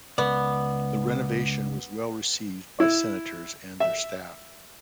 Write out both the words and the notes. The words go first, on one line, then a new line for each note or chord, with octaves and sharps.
The renovation was well received by Senators and their staff.
C#2 B3 D5
E4
E5